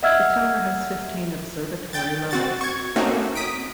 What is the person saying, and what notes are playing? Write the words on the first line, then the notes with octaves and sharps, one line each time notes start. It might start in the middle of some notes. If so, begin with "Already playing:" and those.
The tower has fifteen observatory levels.
D#5 E5 F#5 E6 F6 G#6
G5 G6 A6
C4 F#4 A6
C#6 G#6
A3 A#3 C4 C#4 D#4 F#4
D#6 B6 D7